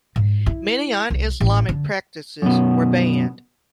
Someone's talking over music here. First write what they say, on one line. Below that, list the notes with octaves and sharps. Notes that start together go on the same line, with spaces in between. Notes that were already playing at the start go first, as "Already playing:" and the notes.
Many un-Islamic practices were banned.
G#2
E4
C2
A1
D3
F#2 B2